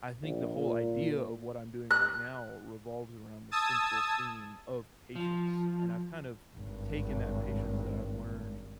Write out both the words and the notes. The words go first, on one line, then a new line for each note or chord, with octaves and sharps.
I think the whole idea of what I'm doing right now revolves around the central theme of patience, and I've kind of taken that patience that I've learned
A#1
A#2
F#6
A5 D#6 E6 G#6
F3
G#1 G2